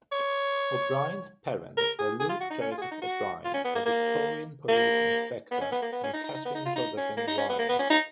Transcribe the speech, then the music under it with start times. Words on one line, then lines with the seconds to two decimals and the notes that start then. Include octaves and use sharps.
O'Brien's parents were Luke Joseph O'Brien, a Victorian Police Inspector, and Katherine Josephine Ryan.
0.12 C#5
1.77 A#4
1.99 G#4
2.20 G#4
2.29 F4
2.41 F#4
2.50 D#4
2.61 C#4
2.71 F4
2.77 G#4
2.82 F#4
2.91 D#4
3.02 F#4
3.44 F4
3.54 C#4
3.65 B3
3.75 A#3
3.85 A#3
4.68 A#3
5.51 B3
5.61 C#4
5.72 B3
5.82 A#3
5.92 B3
6.03 C#4
6.13 D#4
6.24 D#4
6.34 D#4
6.45 B3
6.55 D#4
6.65 F4
6.76 D#4
6.97 C#4
7.17 A#3
7.27 D#4
7.38 C#4
7.49 B3
7.59 A#3
7.69 B3
7.79 C#4
7.90 D#4